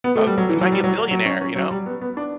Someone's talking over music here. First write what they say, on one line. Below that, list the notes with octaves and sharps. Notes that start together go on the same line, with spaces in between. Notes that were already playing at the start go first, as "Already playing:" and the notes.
uh, you might be a billionaire, you know?
B3
A3
G3
F#3
E3
F#3
G3
F#3
F#3
C#4
C#4
F#3
G3
B3
B3
D4